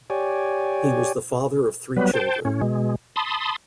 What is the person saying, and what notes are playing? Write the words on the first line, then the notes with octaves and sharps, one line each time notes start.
He was the father of three children.
G4 C#5 D5 G#5
F#3 G3 B3 B4
C5 G5 A5
A2 C#4
B2 G#3
A5 B5 C6 D#6